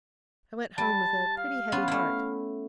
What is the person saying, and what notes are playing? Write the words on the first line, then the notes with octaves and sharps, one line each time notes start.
I went home with a pretty heavy heart.
G3 A5
F5
B3 C#4 F4
A3 E4